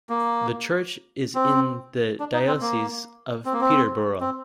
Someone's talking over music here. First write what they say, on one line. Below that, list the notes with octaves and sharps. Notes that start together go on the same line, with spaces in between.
The church is in the Diocese of Peterborough.
A#3
C4
D4
D#4
C4
A#3
C4
A#3
C4
C4